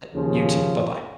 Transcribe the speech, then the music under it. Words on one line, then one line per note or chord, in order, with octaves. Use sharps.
Eh you too, bye-bye.
D#2 C#3 F3